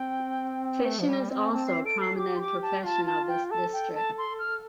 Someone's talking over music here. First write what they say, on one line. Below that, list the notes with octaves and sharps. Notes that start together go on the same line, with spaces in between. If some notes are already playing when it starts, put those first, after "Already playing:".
Fishing is also a prominent profession of this district.
Already playing: C4 G5
A3
F3
G3
C4
C4 A5
C7
A4 D7
C7
G4 D6
C6
D6
A5
F4 A5
A5
G5
A4 A5
G5
A5
C6
F6